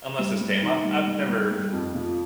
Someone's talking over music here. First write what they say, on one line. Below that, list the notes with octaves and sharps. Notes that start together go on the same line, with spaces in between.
unless it's tame, I've I've never
G3
G3
D#3
G3
G3
G3
G3
F2
F3